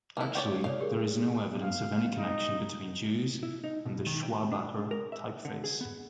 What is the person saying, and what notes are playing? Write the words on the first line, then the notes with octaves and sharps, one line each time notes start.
Actually, there is no evidence of any connection between Jews and the Schwabacher typeface.
A#3 E4
C#5 D5 G5
A4 C#5 D5 F5
G4 G#4 A#4
F5
D#4
E4
D#4
B2
D#3
G5
D4
A#4
E5
D3
G#4
B3